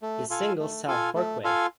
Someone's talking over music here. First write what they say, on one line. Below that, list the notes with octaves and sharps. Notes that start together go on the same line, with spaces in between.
His single "South Parkway".
A3
F4 A4 F5 G#5
A3
F4 A4 F5 G#5
A3
F4 A4 F5 G#5